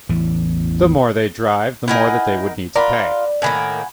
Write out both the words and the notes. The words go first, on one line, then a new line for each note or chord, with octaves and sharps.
The more they drive, the more that they would need to pay.
A1 E2 E3
D#4 E4 A#4 F#5 G#5
F4 A#4 D5 F#5 B5
A2 D#3 A#3 F#5 G#5 B5